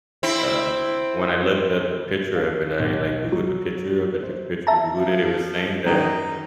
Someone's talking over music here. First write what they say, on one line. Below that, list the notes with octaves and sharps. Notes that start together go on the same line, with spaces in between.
um, when I looked up a picture of it, I, like, Googled the picture of it, took a picture, and Googled it. It was saying that
C4 E4
F5
B1
F#3
C5
E5 A5 A#5
F3
F#2 D#3 D#4